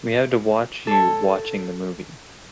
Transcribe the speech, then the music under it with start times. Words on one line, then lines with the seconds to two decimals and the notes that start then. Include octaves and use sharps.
We have to watch "you" watching the movie.
0.87 A4 C#5